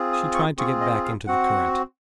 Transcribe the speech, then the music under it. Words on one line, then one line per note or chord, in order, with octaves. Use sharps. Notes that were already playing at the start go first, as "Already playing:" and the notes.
She tried to get back into the current.
Already playing: C4 F4 G#4
D#6
C#6
C4 F4 G#4 C#6
D#5
F5
C4 F#4 F#5